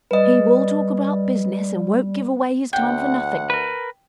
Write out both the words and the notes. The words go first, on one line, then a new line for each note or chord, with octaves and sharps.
He will talk about business, and won't give away his time for nothing.
G3 B4 D#5
D2 F#5 G5
A#4 B4